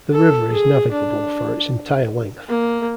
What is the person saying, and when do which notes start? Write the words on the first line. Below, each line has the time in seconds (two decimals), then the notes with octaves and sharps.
The river is navigable for its entire length.
0.13 A4
0.52 G#4
0.91 D4
2.48 A#3